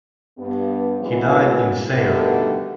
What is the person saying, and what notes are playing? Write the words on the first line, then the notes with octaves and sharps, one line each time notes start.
He died in Sayre.
G2 B3
C#3 E3 F#3 G#3 A#3 B3
B2 D3 D#3 G3 A3 B3